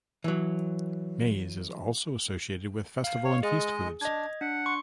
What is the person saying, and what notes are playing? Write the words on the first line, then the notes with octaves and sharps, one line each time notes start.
Maize is also associated with festival and feast foods.
E3 F#3
F5
C#5
G#3 G#4 D#5
D4 D#5 G#6
D4 F#5
C6 C#6 C#7